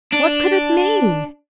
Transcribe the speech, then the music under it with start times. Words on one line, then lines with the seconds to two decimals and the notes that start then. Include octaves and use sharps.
What could it mean?
0.13 D4